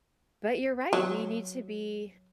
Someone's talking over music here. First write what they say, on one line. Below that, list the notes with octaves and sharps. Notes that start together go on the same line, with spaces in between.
But you're right. We need to be,
F#3